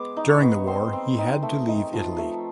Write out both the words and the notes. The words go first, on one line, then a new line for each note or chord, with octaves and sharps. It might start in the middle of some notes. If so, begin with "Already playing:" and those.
During the war, he had to leave Italy.
Already playing: G#3 B3 D6
D#4
C#6
B3
C4 C6
C4
D#4
A3
D#4
F3
A3